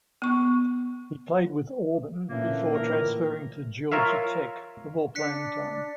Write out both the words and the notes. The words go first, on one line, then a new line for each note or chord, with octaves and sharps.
He played with Auburn before transferring to Georgia Tech for more playing time.
B3 C#6
A#2 D3 E3 A#3 C#4 E5
A2 A#4
F4 A#4 C#5 E5 F5
D4 F#6 B6 C#7